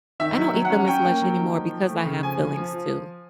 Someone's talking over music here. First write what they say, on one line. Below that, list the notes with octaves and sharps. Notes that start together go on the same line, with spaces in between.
I don't eat them as much anymore because I have fillings too
D#3 E5
F#3
F#3
F#5
C#4
C#4 G5
A#3
F#3
D#3
F3
F3
A3
C#3
F3 G#5
F3
F3
F3